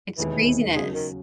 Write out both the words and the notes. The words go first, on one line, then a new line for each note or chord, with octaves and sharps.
It's craziness.
E1 D#2 D#3 E3 G#3
C#3 F#3 G#3 C#4 F#4
D#3